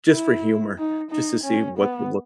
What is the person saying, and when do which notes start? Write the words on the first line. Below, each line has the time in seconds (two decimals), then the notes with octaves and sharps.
just for humor, just to see what the look
0.10 E4
0.78 D#4
1.11 D#4
1.45 C#4
1.78 B3